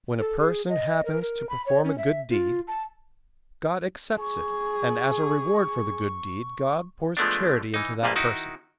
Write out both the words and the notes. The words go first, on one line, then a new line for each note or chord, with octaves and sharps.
When a person happens to perform a good deed, God accepts it and as a reward for the good deed God pours charity into that person.
A4
G#4
D#5
A#4
A#4
B5
C#5
C#4
E5
F4
A5
G#4 C#6
F3 G#3 A3 B3 D4
E3 D#4
A#1 G2 A#2 G3 A#3 B4
D#3 D#4 E4 F#4